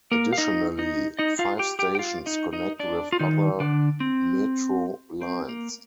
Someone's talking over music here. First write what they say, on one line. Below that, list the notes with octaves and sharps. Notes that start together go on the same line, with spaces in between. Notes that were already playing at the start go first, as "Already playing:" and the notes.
Additionally, five stations connect with other metro lines.
A#3 A#4
F5
D#4 D#5
D#4 D#5
D#4 D#5
F4 F5
G4 G5
G4 G5
G5
F4 F5
D#4 D#5
D#4 D#5
D4 D5
F4
D#3 D#4
D3 D4
C4
C4
A#3